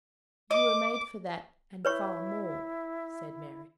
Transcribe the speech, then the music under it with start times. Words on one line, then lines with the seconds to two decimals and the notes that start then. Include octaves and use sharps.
"You were made for that, and far more," said Mary.
0.51 D#5 D6
1.85 E4 B4 C#5 C#6